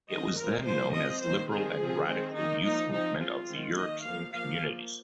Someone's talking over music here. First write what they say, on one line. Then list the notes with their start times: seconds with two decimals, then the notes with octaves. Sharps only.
It was then known as Liberal and Radical Youth Movement of the European Communities.
0.09 D#3 G#3 C4 D#5
0.38 F3 G#3 C4 A#4
0.66 F3 A#3 C5
0.94 F3 G#3 C4 D#5
1.22 D#3 A#3 C5
1.51 D#3 C4 G#4
1.78 F3 C4
2.07 D#3 G#3 C4
2.35 D#3 A#3 D#4
2.63 F3 A#3 D#4
2.91 F3 C4 D#4
3.19 F3 G#3 C4 F4
3.48 D#3 G#3 C4
3.76 D#3 A#3 D#5
4.04 F3 A#3 F5
4.32 F3 A#3 F5
4.60 F3 A#3